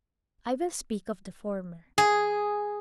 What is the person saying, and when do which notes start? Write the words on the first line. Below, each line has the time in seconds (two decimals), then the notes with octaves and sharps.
I will speak of the former.
1.98 G#4